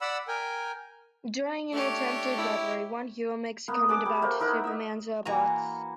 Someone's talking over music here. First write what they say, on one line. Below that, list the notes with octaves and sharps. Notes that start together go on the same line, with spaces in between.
During an attempted robbery, one hero makes a comment about "Superman's robots".
D5 F#5 B5 E6
A#4 G5 G#5
A3 D4 G4 A4 C#5
E4
A#3 B3
D4 G#4 D6
G3
A3 A#3 C5
D#4 E4 A#4 F#5
D#5 E5 E6
E3 A#3 F#4 A#5